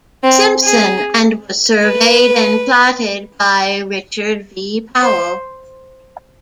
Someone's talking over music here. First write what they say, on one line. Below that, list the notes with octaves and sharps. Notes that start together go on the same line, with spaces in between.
Simpson and was surveyed and platted by Richard V. Powell.
C4
G#4
B4
C5